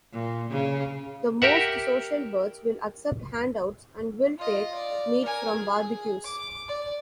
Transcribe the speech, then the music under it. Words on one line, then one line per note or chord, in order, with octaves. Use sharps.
The most social birds will accept handouts and will take meat from barbecues.
A#2
C#3
G4 A#4 E5 F#5
F4 D#5
D5
A#4 G#5
G#4
D6
D5